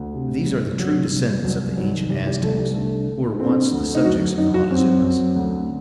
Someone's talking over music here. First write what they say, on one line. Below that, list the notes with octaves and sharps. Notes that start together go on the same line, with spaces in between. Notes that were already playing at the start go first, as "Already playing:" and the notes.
These are the true descendants of the ancient Aztecs, who were once the subjects of the Montezumas.
Already playing: D2
C3
C2
C3 F#3
C2
C2 F#3
D#3 F#3
C2 G3
G3
C2 A3
G3
D3 A3
D3
D3 C4
D2
D#4
F#2 F#4
F#2 D#4
F#4
F#2 C4
F#2
D2